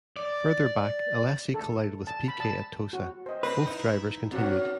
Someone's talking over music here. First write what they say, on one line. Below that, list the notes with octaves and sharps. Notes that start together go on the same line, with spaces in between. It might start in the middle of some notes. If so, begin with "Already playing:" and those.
Further back, Alesi collided with Piquet at Tosa; both drivers continued.
D5
A4
A5
B5
A5
F#4
C5 D#5
C4 B4
D#4 E4
F#2 C4 F#4 F#5